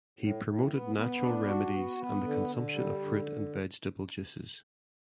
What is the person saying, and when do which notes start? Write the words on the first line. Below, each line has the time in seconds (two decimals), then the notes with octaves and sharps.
He promoted natural remedies and the consumption of fruit and vegetable juices.
0.19 A2
0.44 A2
0.70 B3
0.96 B3
1.20 D4
1.47 F#4
1.72 B3
1.97 B3
2.23 D3
2.48 D3
2.73 G3
3.00 D3